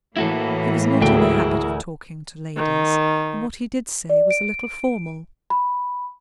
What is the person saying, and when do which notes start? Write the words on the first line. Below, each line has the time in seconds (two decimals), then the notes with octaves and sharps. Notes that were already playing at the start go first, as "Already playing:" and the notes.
He was not in the habit of talking to ladies; and what he did say was a little formal.
0.17 A2 E3 A#3 E4 F#4 A4
1.01 D2 G#2 E4 G#4 A#4 G5
2.56 D#3
4.09 D5
4.31 D7
5.50 B5